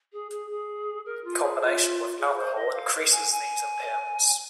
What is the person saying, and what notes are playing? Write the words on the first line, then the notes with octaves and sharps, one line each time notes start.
Combination with alcohol increases these impairments.
G#4
G#4
G#4
A#4
F4
G#4
F4
G#4
C5
D#5
F5
G#5
G#5